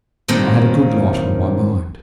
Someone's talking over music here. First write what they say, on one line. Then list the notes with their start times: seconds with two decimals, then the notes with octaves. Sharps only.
I had a good lot on my mind.
0.28 G2 A#2 D#3 A#3 C4 C#4